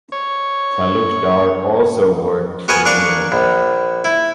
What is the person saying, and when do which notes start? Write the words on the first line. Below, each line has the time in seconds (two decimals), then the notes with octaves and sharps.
Talukdar also worked for women.
0.12 C#5
2.68 B3 F#4 A#4 D#5 G#5
2.85 D4 A#4 F5 C#6
3.32 A#1
4.04 E4